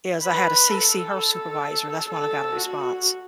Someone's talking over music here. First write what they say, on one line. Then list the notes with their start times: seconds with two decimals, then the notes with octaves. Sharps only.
is I had to CC her supervisor. That's when I got a response.
0.23 B4
0.70 A4
2.09 A4
2.56 F#4